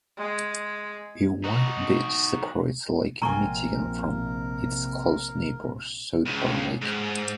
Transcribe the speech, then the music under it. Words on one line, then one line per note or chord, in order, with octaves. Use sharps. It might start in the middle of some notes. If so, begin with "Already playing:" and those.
A wide beach separates Lake Michigan from its close neighbor, South Bar Lake.
G#3
D#4 F#4
A#1 C3 C4 F4 A#4 G#5 A#5 C#6
C#2
G#2